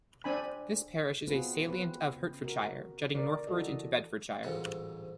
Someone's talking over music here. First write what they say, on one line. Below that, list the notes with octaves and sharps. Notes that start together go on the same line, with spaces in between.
This parish is a salient of Hertfordshire jutting northwards into Bedfordshire.
C4 D4 G#5 B5
B3 C4 F4 F#4 G#4 B4
B3 C4 B4
C#3
F#4 A#4
D3 A#4 D5
E3 F#4 A4 D#5
A1 D2 G#2 G3 F4 F#5